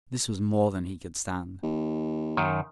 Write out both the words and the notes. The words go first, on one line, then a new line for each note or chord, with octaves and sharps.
This was more than he could stand.
D#2
F#2 D#3